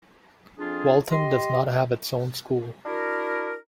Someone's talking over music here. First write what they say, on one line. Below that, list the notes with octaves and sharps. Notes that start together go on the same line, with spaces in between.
Waltham does not have its own school.
F2 D4 F4 G#4
G4 D#5 C6
D4 E4 F#4 A#4